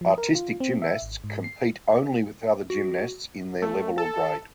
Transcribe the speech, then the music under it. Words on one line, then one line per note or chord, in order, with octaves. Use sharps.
Artistic gymnasts compete only with other gymnasts in their level or grade.
F3
A#4
F4
C4
E5
G#1
G#2
C7
F#4
A3
A4